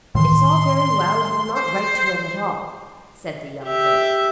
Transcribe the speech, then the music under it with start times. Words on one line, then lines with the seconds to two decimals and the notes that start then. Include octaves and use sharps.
"It is all very well--I will not write to him at all," said the young girl.
0.15 A2 D#3 E3 C6
1.55 C5
3.64 G4 E5